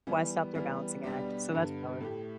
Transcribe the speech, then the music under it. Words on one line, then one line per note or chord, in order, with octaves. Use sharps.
why stop their balancing act? So that's valid.
E3 G3 B3
E3 G3 B3
B2 G3 B3 D4 G4
G2 D3 B3
A2 A3 G4